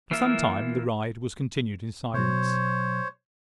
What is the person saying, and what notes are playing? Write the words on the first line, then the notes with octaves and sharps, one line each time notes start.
For some time the ride was continued in silence.
E3 A#3 F4 E5
B2 F#3 C5 C#5